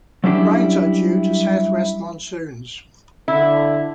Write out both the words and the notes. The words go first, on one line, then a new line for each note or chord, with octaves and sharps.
Rains are due to southwest monsoons.
F#3 G3 C#4 D4 E4 G4
D3 E4